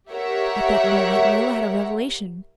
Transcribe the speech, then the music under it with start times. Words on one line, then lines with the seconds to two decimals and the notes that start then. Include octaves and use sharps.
At that moment Marilla had a revelation.
0.11 G4 A#4 C#5 E5 F#5